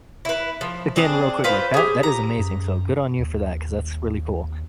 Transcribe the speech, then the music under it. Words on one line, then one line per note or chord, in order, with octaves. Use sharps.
again, real quick, like, that that is amazing, so good on you for that 'cause that's really cool.
E4 B4
F3
C4 D4 G#4
F4 B4 C5
G4 G#4
A#5
F#2
D#2